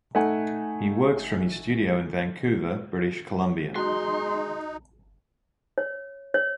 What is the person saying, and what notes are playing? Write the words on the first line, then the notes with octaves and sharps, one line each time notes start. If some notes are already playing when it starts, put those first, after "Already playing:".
He works from his studio in Vancouver, British Columbia.
A3 D#4 F#5 G#5
G#3 D#4 F#4 C6
C#5
C#5